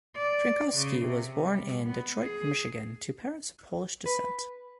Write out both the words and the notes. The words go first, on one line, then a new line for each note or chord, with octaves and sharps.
Frankowski was born in Detroit, Michigan to parents of Polish descent.
D5
C#3
C3
G3
B3
G#4
B4